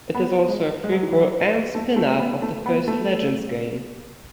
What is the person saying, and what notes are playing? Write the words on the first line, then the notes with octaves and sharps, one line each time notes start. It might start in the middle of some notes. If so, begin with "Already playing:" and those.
It is also a prequel and spin-off of the first Legends game.
B3
G#3
G#3
F#3
E3
F#3
A3
A3
B3
A3
B3
A3